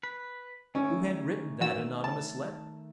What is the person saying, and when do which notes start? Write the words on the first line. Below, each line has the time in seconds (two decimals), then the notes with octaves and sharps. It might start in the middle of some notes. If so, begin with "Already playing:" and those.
Who had written that anonymous letter?
0.03 B4
0.75 D#3 A3 C#4
1.61 E3 F#4 E6
2.04 A5